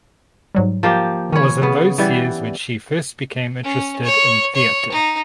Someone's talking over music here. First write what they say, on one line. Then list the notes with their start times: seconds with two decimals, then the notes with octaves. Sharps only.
It was in those years when she first became interested in theatre.
0.55 G#2 F#3 G3
0.83 F3 A#3 G4
1.32 D#3 C#4 C#5 B5
1.62 C#3 B3
1.98 E3 G3 B3
3.64 C#4
4.04 C#5
4.55 C#5
4.92 D#4